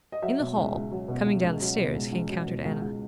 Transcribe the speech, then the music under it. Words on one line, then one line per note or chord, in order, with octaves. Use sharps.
In the hall, coming down the stairs, he encountered Anna.
D#5
F#3 E5
B2
C#2
C#2
F#3
B2
C#2
C#2
F#3
B2
C#2
C#2
F#3
B2
C#2
C#2